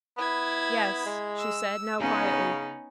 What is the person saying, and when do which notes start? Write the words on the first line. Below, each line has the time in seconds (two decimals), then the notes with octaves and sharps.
"Yes," she said, now quietly.
0.18 B3 E4 G#6
1.06 G#3
1.38 E6
2.00 C#3 B3 C#4 D#4